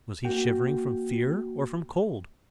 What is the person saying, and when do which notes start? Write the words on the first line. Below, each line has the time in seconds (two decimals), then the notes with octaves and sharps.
Was he shivering from fear or from cold?
0.25 A#3 F#4 G5